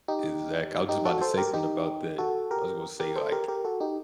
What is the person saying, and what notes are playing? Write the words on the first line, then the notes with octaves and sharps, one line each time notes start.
Exact I was just about to say something about that. I was gonna say, like,
D#4 G4
D#4 G4
F#4 A4
A4 C5
G4 A#4
D#4 G4
F#4 A4
G4 A#4
G4 A#4
A4 C5
G4 A#4
G4 A#4
F#4 A4
D#4 G4